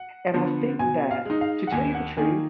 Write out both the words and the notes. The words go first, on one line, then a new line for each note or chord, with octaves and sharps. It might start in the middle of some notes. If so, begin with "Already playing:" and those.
and I think that to tell you the truth,
Already playing: F#5
D3 F3 B3
B2 G#5
F5
G#3 D#4
F5
F#5
D#2 G#5
F#5
D#3 A#3 D#4 G#5